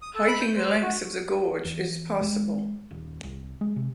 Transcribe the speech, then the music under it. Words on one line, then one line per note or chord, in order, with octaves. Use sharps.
Hiking the length of the gorge is possible.
D#6
A4
B5
G6
C5
F#4
E2
G#3
D#1
C2
G#3
C3